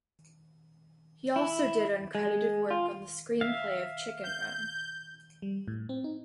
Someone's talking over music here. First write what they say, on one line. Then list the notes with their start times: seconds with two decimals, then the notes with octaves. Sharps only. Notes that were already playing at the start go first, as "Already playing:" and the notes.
He also did uncredited work on the screenplay of "Chicken Run".
1.36 E4
2.15 G#3
2.70 F4
3.41 E5 F5
4.23 G6
5.42 G3
5.68 A2
5.89 C4
6.04 D#4